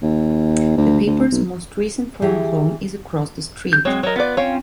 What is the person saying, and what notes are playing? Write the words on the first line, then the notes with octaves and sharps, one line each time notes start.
The paper's most recent former home is across the street.
D#2
D2
D2
B1
E3 G4 G#4
G6
F#3 G#3 C4 C#5
F#3 A#4 C#5 D#5
B3 F4 B4 D5
C4 C#4 F4 C#5 F5